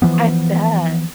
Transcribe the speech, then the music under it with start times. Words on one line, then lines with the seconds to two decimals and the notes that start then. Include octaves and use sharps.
I bet.
0.02 E3 F3 B3